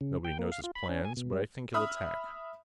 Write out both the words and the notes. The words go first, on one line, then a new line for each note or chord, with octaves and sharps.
Nobody knows his plans, but I think he'll attack.
C#3
G5
A#3
F5
F4
B5
C#4
G#5
B2
G3
E5 B5 D#6 F6